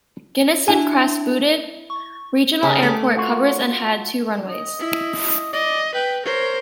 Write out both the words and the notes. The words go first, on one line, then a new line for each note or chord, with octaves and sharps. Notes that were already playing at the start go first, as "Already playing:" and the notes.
Gunnison-Crested Butte Regional Airport covers and had two runways.
D4 E4 G#5
C#6
C#3 G4 G#4 A#4
A3 D6
F4 F#4
D#5
E4
D5 D#5
B4 G5
A#4 C5 C#5